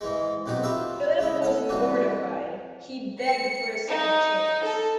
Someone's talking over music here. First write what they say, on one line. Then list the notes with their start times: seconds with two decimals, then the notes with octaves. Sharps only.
Philip was mortified. He begged for a second chance.
0.01 G#2 E3 G#3
0.46 B1 C3 D#4 F#4 B5
0.63 F4 G4 B4 E5
1.18 C#3 G#3 E4
1.42 A4 F#5
1.69 C2 G2 E3 F#4
3.20 C#7
3.89 D#4
4.64 A4